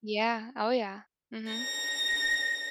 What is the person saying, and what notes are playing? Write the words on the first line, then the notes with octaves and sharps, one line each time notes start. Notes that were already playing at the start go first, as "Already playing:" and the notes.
Yeah. Oh, yeah. Mhm.
A#6